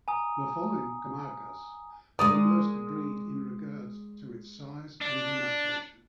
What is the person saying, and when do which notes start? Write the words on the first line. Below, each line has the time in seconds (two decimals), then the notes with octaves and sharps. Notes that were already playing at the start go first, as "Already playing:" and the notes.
The following "comarcas" are the most agreed in regards to its size and demarcation.
0.08 G#5 A#5 D#6
2.19 G#3 A#4 D5 D#6
5.02 D4